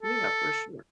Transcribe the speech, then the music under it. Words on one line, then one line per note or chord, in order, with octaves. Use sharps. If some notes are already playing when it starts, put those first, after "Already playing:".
Yeah, for sure.
A4